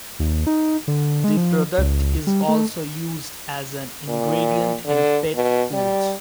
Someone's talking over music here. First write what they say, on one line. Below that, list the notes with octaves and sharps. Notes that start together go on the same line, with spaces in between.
The product is also used as an ingredient in pet foods.
D#2
D#4
D3
G#3
F3
C#2
G3
A3
A#2
D3
B2
G3